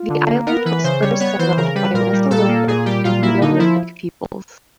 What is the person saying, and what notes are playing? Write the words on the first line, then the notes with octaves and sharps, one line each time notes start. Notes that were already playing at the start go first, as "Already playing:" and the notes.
The island was first settled by Mesolithic and Neolithic peoples.
Already playing: F4
D3
A#3
B3 A#4
E3 B4
C#3 C5
G3 C#5
B3 C#5
E3 C5
C#3 A#4
G3 B4
A#2 A#4
G3
A#2 A4
A#3
A#2 G#4
G3 G4
A#2 F4
A#3 E4
D3 D#4
F3 E4